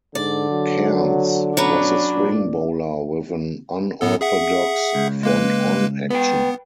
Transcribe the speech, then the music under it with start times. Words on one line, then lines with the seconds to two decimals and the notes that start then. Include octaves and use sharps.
Cairns was a swing bowler with an unorthodox 'front on' action.
0.15 G#2 D3 D5
0.50 F#3
1.57 B2 F#3 C#4 D4 B4
2.14 A#2
4.01 A2 B3 A4
4.21 G#4 E5 F#5
4.95 C#2
5.23 G#3 A#3 B4
6.10 B3 B4 G5